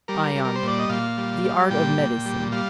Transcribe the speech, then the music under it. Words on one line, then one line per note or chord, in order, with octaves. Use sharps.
ION: The art of medicine.
G3 A#4
G3
A#4
C5
A#2 D5
D#5
A#2 F5
G3
G3
A#2 G5
A#2
G3
G3 F5